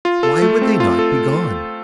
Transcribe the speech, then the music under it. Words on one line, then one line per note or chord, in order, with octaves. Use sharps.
Why would they not be gone?
F4
A4
A3
C4
F4
A4